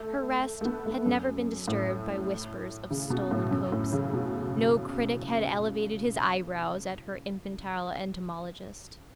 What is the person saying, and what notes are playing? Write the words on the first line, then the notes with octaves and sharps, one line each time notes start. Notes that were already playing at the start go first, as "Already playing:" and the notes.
Her rest had never been disturbed by whispers of stolen copes; no critic had elevated his eyebrows at her infantile entomologist.
Already playing: A3
A3
B3
A3
F#2
A2
C#3
B2
A2
F#2
A2
C#3
B2